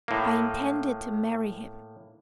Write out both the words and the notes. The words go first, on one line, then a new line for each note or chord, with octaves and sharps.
I intended to marry him.
A2 A#3